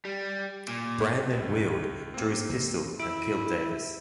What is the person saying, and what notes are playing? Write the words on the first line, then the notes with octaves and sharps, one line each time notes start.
Brann then wheeled, drew his pistol, and killed Davis.
G3
A#2
C#2
A#3 C4
E4 E6 D7